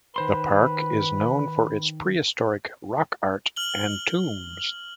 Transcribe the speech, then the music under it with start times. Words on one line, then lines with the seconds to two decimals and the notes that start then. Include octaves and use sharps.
The park is known for its prehistoric rock art and tombs.
0.16 D#3 B4 C5 C6
3.56 F6 F#7 G7